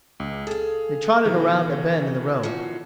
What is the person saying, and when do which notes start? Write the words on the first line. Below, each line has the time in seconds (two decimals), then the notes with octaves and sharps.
They trotted around a bend in the road.
0.20 C#2
0.47 G#4 A4 F5
1.25 B2 D#3 E3
2.43 F3 F#4